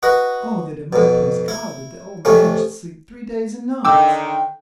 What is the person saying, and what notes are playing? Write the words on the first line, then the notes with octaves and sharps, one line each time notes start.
Oh, that it might please God that the old man should sleep three days and nights!
F#4 B4 D#5 F#5
F2 B2
E4
F2 C3 A3 C#4
D3 D#3 G5 D6 E6